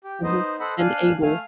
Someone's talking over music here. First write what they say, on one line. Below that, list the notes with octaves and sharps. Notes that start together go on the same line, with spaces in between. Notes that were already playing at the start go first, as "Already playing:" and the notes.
Mhm, and able.
G4
B3 D#4 C5 D#5
A4 C5 D#5 F#5 B5
D4 F5 G#5 F#6
A3 F5 G#5 F6